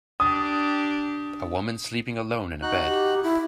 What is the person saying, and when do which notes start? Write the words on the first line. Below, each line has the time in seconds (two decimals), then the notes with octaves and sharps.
A woman sleeping alone in a bed.
0.20 D4 G4 D#6
2.62 D#4 F#4 F#6
2.85 G4
3.23 E4